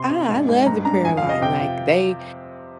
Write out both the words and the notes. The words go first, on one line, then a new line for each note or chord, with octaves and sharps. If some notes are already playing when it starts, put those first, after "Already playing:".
I I love the prayer line, like, they,
Already playing: C3 C6
C3
G#2
G#2
G2 A#5
D4 A#5
F2 G#5
F5
F2
D#5
C3 G5
F4